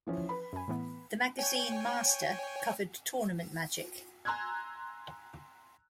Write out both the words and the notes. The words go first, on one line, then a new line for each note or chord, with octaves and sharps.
The magazine "Mastyr", covered tournament Magic.
E3 F3 C#4
B4 B5
F#2 G#5
A2 E3 B3
C#5 G5 G#5
G#5 A#5 C6 E6 F#6 G#6